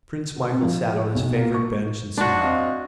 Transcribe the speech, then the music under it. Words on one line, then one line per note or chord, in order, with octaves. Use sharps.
Prince Michael sat on his favourite bench and smiled.
F#4
C4
F3
G#4
B1
A#3
C#6
G#2 D4 F#4
C4 D#5 F5